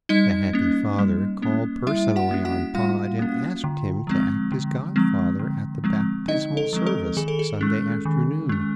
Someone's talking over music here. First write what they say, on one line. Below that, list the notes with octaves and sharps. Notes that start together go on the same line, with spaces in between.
The happy father called personally on Pod and asked him to act as godfather at the baptismal service, Sunday afternoon.
G3 D#4 D#5
A#3 C#4
G3
A#3 C#4
G3 E4 E5
F#4 F#5
A#3 C#4
F#4 F#5
G3 F4 F5
A#3 C#4
D3
F3 G#3 C4
D3
F3 G#3 C4
D3
F3 G#3 C4
D3 D#4 D#5
A4
F3 G#3 C4
A4
D#3 G#4
A4
G#4
G#3 C#4
D#3
G#3 C#4